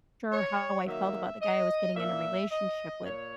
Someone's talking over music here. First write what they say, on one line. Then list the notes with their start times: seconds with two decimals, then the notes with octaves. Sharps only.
sure how I felt about the guy I was getting in a relationship with.
0.32 C#5
0.86 D#3 F#3 A#3 E5
1.41 D#5
1.95 A#2 A#3 E5
2.51 D#5
3.05 A#2 C#5